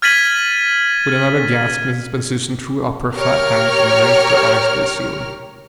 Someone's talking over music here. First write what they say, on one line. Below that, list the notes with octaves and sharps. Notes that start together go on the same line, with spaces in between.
With another gasp Mrs. Bensusan threw up her fat hands and raised her eyes to the ceiling.
F6 G#6 A6 B6 D#7 F#7
G4 A#4 C#5 F6